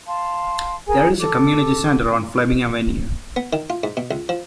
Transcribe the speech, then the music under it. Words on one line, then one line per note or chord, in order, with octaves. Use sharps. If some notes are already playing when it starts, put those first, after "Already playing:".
There is a Community Centre on Fleming Avenue.
F5 A5 C6
G#4 A#4 G#5
A4 D6
B3
D#3
F4
G#2
B2
C#2
F3